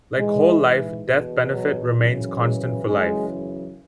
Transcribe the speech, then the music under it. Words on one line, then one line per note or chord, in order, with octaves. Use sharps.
Like whole life, death benefit remains constant for life.
G#2 E3 G#3
E2 B2
F#3
F#2 C#3 E3
G#3
F#2 C#3 E3 G#3